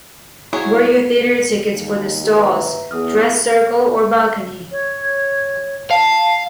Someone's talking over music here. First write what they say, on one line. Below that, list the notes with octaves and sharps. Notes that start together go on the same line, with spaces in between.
Were your theatre tickets for the stalls, dress circle or balcony?
F#3 E4 F#4 G#4 C#5
D#2
B4 E5 A#5
E2 G#4 D#6 F6
C#5
F5 A5